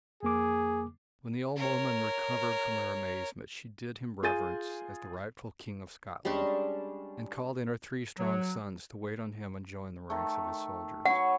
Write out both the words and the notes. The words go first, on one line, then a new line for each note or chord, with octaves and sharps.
When the old woman recovered from her amazement she did him reverence as the rightful King of Scotland and called in her three strong sons to wait on him and join the ranks of his soldiers.
F2 A#3 G#4 D6
A#4 C#5
F4 G#4 G#5 G6 A6 D#7
G3 G#3 C#4 D4
F#3
D#3 A3
F#4 B4 C#5 F#5